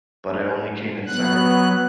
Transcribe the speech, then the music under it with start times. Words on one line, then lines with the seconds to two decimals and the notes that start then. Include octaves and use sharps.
But I only came in second.
1.06 F#3 B3 F#6